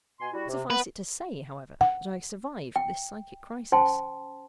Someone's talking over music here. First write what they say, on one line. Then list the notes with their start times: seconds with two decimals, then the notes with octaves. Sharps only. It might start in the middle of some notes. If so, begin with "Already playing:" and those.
Suffice it to say, however, that I survived this psychic crisis.
0.20 B2 G#5 C6
0.33 G3 E4 F#4
0.48 C3
0.70 B3 B4
1.81 F#5
2.76 G5
3.72 C#4 C5 G5 A5 C6